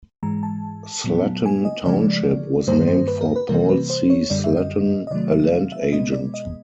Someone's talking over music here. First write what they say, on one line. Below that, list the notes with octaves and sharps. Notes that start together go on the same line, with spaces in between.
Sletten Township was named for Paul C. Sletten, a land agent.
G#2 E3 G#3 A#5
A5
A#2 F#3 B3
G#5
D#5
C#3 F3 G#3 D5
G2 D#3 G3 A#3 C5
C5
B4
A#4
B4
C3 E3 G3 A#3 A#4
B4
C5
C#5
F#2 D3 G3 D5
E5
D#5
D#5
C3 D#3 F#3 A3 D5
E5
F5
E5
B2 G#3 B3 D#5
D5
D#5